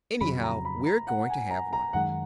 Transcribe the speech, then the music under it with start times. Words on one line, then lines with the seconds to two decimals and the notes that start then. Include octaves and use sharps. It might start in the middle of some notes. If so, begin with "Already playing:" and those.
Anyhow, we're going to have one.
0.21 F2 C#3 F#3 B5
0.43 A#5
0.65 B5
0.86 A#5
1.07 F#5
1.30 G#5
1.50 A#5
1.73 A#5
1.93 F#2 D#3 G#3 F#5